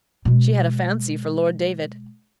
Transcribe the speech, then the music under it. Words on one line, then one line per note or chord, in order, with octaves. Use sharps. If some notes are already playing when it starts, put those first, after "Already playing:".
She had a fancy for Lord David.
B2 G#3